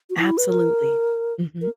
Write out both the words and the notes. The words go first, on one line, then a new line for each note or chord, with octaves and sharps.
Absolutely. Mhm.
F#4
E4
B4
A#4
A#4